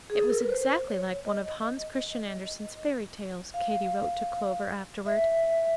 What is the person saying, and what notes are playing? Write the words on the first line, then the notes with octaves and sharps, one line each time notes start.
It was exactly like one of Hans Christian Andersen's fairy-tales, Katy wrote to Clover afterward.
G#4
A4
A#4
B4
C5
C#5
D#5
F5
E5